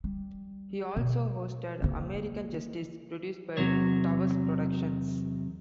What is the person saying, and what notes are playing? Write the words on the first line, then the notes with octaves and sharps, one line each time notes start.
He also hosted "American Justice", produced by Towers Productions.
G3
B2
C#3 A#3
E2 C3 F#3 C#5